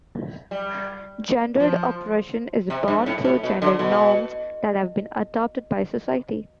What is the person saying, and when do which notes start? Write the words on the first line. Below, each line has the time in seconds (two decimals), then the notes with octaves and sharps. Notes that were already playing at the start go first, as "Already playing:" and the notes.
Gendered oppression is born through gender norms that have been adopted by society.
0.51 G3
1.60 F3
2.70 C3
2.88 G2
3.06 A2
3.24 A2
3.43 B2
3.62 D3
3.79 B2